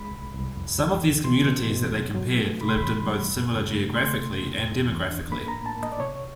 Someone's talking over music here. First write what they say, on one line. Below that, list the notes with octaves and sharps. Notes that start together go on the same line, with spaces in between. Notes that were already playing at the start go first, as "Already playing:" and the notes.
Some of these communities that they compared lived in both similar geographically and demographically.
Already playing: C2 G#3 B5
C2
C2
F2
E3
E3
B2 C6
B2
B2
F#3
F#3
A3
C3 B5
C6
E3 B5
G3
F#2
C#3
A3
A3 C6
C3
E2
G2
E3
D4
A#3 B5
A#5
A2
A5
A#3
D#5
D5
C3 C#5